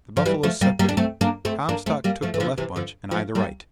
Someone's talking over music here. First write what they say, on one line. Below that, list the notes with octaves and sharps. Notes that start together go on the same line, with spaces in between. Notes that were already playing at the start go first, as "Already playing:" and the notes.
The buffaloes separated; Comstock took the left bunch and I the right.
F3
E3 G3
F3 A3
G3 A#3
G3 A#3
D4
A3 C4
A#3 D4
A3 C4
A#3 D4
A3 C4
G3 A#3
F3 A3
E3
D3 F3
C3 E3
D3 F3
F3 A3
G3 A#3